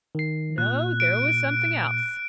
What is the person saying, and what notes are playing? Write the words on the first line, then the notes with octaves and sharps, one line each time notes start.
No, there was something else!
D#3 C7
A#2 F#6
D7